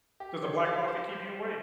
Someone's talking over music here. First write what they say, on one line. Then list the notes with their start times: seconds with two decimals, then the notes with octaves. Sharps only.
Does the black coffee keep you awake?
0.20 G4
0.43 C#5
0.65 F5
0.88 C5